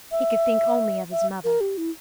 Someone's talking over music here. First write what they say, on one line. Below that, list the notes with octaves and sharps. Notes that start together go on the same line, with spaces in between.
He could think only of his mother.
E5
E5
A#4
G4
E4